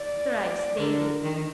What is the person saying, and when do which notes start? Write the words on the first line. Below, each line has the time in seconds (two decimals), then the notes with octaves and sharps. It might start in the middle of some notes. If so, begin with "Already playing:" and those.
Thrice daily.
Already playing: D5
0.34 D5
0.78 D3 A#4
1.23 D#3